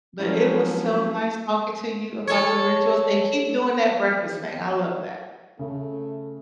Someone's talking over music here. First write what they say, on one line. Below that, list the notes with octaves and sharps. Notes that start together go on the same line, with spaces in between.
But it was so nice talking to you about your rituals, and keep doing that breakfast thing, I love that.
F3 F#3 G#3 C#4 E4
A4 C#5
C#3 A3